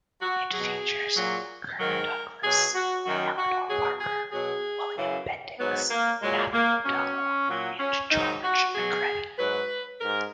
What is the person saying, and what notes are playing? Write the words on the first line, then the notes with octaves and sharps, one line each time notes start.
It features Kirk Douglas, Eleanor Parker, William Bendix, Cathy O'Donnell, and George Macready.
F#4
B2 F#3 G#4
A#2 F#3
G#2 D#3 F#3 A#4
B2 F#3 G#4
F#4
F#2 D#3 F#3 F#4
F#4
B2 F#3 G#4
G#4
B2 F#3 G#4
F#2 C#3 E3
G#2 F#3 B3
A#3
A#2 F#3 G#3
A#3
B2 F#3 C#4
A#2 F#3
C#4
G#2 D#3 F#3 D#4
F#4
B2 F#3 G#4
G#2 F#3 B4
G#2 A#4